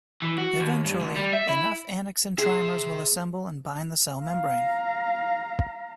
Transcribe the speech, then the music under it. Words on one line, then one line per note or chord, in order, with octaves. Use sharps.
Eventually, enough annexin trimers will assemble and bind the cell membrane.
E3
F#4
D#2
G2
D2
G3
E5
E4
G#4 C5 E5
F5 A#5